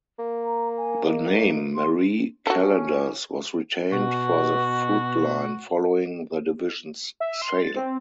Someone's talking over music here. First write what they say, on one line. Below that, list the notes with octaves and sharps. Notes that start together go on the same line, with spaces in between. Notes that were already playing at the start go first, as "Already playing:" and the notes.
The name "Marie Callender's" was retained for the food line following the division's sale.
A#3
A#5
G#5
D#5
C6
C#4 F#4 A4
B2 F#4
E5
C6
A6
C4